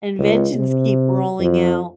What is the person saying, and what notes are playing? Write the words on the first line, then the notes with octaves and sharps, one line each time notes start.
inventions keep rolling out.
C#2
C3
F2